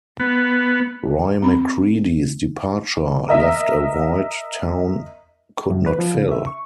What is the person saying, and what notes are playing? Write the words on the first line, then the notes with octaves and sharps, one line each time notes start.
Roy McCreadie's departure left a void Town could not fill.
B3
C4 B5
A#4 D#5 E5
F#2
B4
F3
C#3
E5
C#6